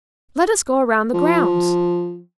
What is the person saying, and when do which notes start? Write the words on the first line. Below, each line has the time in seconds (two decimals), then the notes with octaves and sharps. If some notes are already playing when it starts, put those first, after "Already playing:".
"Let us go around the grounds."
1.14 F3